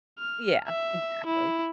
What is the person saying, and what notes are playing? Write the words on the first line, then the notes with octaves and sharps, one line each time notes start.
Yeah, exactly.
F6
E5
E4